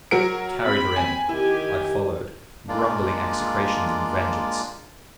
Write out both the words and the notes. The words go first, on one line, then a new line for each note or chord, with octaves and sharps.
He carried her in; I followed, grumbling execrations and vengeance.
F#3 A#4 D7
C4 B5
G#5
D#3 E4 G4 G#5
G#3 A#3 D4 F4